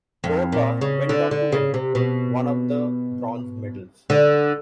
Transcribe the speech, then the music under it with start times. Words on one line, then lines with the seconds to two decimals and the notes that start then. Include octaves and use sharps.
Torba went on to win one of the bronze medals.
0.24 F2
0.52 A#2
0.81 C#3
1.09 D3
1.31 D3
1.52 C#3
1.74 C3
1.95 B2
4.10 D3